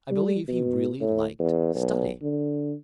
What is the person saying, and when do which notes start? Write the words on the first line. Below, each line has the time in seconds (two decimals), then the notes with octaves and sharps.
I believe he really liked study.
0.11 G3
0.48 B2
1.01 A2
1.39 E2
1.75 B1
2.22 D3